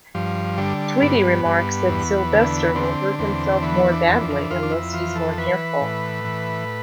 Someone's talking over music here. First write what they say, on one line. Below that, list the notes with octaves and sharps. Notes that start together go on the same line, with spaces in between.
Tweety remarks that Sylvester will hurt himself more badly unless he's more careful.
G2 F3
D3 G3
G2 B3
G2
E2
D3
D3 C4
E2 C4
E3 B3
D4
F2
D4
F2 F4
D4
E4
E3 F4
A4
E3 B4
A2
E3